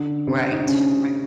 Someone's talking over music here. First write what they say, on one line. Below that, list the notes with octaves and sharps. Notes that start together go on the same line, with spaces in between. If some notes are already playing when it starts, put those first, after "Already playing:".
Right, right.
Already playing: D3 D4
C3 C4
D#4
D4
C#3 C#4